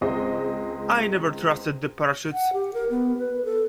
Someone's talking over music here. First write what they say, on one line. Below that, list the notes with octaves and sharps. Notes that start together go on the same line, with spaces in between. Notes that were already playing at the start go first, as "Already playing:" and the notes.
I never trusted the parachutes.
C#2 G#3 C4 D#5
F#5
G4
A#4
B3
B4
A4